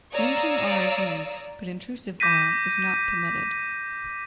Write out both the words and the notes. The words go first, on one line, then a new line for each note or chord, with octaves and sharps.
Linking R is used, but intrusive R is not permitted.
C#5 D5 F5 A#5 D#6 E6
D6 G6 A#6 B6 D#7